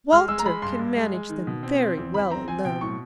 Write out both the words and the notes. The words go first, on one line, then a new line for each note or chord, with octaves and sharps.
Walter can manage them very well alone.'
G#3 F6
G#3 E6
A#5
G#3 B5
G2 C6
G2
G#3
G#3
D#3
B2
C4
C4
E2
E2 B5
C4 A#5
C4 G#5
B2 G5
A2 C#6